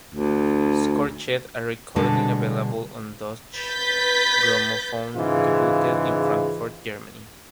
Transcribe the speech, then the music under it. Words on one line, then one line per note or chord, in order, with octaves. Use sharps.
"Scorched", a recording available on Deutsche Grammophon, debuted in Frankfurt, Germany.
D2
B2 D3 G3 G#3 D4 A4
B4 G6 A6 B6
G#2 C#3 E3 F4